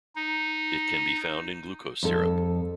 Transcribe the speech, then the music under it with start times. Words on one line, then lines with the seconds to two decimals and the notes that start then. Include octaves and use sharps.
It can be found in glucose syrup.
0.16 D#4
2.03 F2 A4